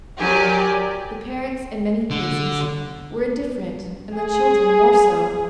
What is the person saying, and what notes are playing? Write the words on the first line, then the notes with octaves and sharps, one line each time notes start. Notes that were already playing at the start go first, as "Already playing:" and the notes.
The parents, in many cases, were indifferent, and the children more so.
F#3 G4 A#4 D5 G#5
D3
G#4